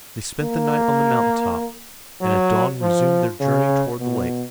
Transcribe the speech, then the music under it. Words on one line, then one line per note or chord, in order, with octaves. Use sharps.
They spent the night on the mountain-top, and at dawn resumed their journey toward the lake.
A#3
F#3
F3
C#3
B2